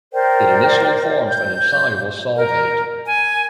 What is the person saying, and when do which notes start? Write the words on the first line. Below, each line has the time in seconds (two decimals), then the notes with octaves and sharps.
It initially forms an insoluble solvate.
0.13 A#4 C5 D5 G5
1.28 G6
2.37 A#4
3.06 G#5